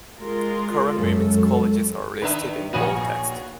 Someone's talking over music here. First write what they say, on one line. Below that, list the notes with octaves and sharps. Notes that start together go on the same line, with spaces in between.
Current women's colleges are listed in bold text.
G#3 F4 A#4
F#2 G#3 A4
D#3 D4 B4 E5
A#1 A#3 F#4 C#5 F5 G#5 D#7